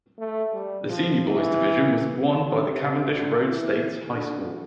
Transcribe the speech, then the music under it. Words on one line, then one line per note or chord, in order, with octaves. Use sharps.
The Senior Boys division was won by Cavendish Road State High School.
A3
G3
F3
E3
D3
C3
D3
E3
D3